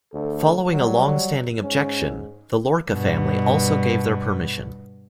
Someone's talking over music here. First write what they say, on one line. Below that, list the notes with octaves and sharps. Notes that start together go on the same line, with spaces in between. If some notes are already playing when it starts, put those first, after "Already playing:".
Following a long-standing objection, the Lorca family also gave their permission.
D2 A4
F#3 G3
G#2 C#4
G2 B2